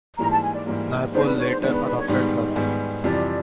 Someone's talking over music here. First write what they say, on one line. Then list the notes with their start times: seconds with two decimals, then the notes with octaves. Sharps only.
Naipaul later adopted her.
0.18 G#2 E3 G3 A#3 A#5
0.31 A5
0.43 G#5
0.54 D5
0.66 G#2 E3 G3 A#3
1.13 D#3 G#3 B3 D4 C5
1.25 B4
1.37 C#5
1.49 C5
1.61 D#3 G#3 B3 D4 B4
1.73 B4
1.85 B4
1.97 C#5
2.08 G#2 D#3 G3 B3
2.56 G#2 D#3 G3 B3
3.04 F2 C3 E3 G3 D5